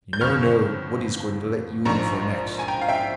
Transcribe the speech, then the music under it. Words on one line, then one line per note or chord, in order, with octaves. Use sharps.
You never know what he's going to let you in for next.
G6
G1 F2 C#3 C#6 F6
A#1 G#2 F3 A#5 C#6
G#5
G5 A#5
F5
E5 G5